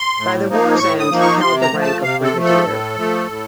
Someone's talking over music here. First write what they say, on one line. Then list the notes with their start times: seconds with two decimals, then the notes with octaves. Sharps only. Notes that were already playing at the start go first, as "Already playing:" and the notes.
By the war's end he held the rank of brigadier.
Already playing: C6
0.17 A2
0.48 F3 A#3 D#4
0.79 A2 C#6
0.99 D#6
1.09 F3 A#3 D#4
1.20 C#6
1.41 C3 C6
1.61 A#5
1.72 F3 A3
1.82 A5
2.03 C3 F5
2.23 A4
2.34 F3 A3
2.44 A4
2.65 A2
2.96 F3 A3
3.27 A2